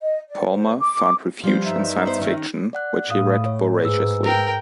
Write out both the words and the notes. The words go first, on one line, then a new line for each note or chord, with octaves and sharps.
Palmer found refuge in science fiction, which he read voraciously.
D#5
D5
C5
D6
F3 G3 C5
G2 D#4 E5
B3 C5
D#3 C#4
D5 F#5 F#6
A2 F5 D#6
C#5
G#2 G#4 B4 E6
A#4 G5